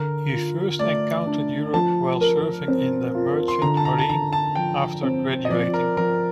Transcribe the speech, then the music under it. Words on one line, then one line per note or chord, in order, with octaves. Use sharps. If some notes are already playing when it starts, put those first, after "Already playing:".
He first encountered Europe while serving in the Merchant Marine after graduating.
Already playing: D3 A#4
F4
A3 D5
D4
F3 A5
A#4
C4
F4
C6
D3 A#5
A5
A#5
A5
D3 A#5
A5
F3 G5
C4
D#5
F3 D5
A#4
F3 A#4